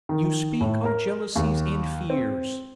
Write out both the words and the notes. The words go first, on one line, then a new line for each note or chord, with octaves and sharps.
You speak of jealousies and fears.
D#3
A2
A#4
D#2
C4